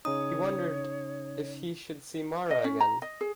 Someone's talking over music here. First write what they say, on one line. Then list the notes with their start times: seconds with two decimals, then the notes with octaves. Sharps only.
He wondered if he should see Mara again.
0.05 C#3 C#4 D#4 C#5 D#6
2.51 D#5
2.64 C#4
2.80 A#5
3.02 D#5
3.21 G#4